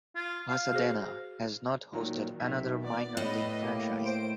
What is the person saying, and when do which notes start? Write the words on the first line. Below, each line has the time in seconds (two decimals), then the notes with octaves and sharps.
Pasadena has not hosted another minor league franchise.
0.15 F4
0.49 F5
0.73 F#4 G#4 C5
1.93 A#2 D#3 F#3
2.40 B1 D#3 E5
2.84 B3 D5
3.17 A2 B4 D#5 B5
3.63 A#3 G4
4.04 C5 D7